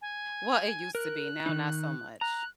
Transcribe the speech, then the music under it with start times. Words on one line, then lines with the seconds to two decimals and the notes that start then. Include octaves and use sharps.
Well, it used to be, now not so much.
0.01 G#5
0.95 A#4 F#6
1.46 D#3 D#4
2.21 A#5 F#6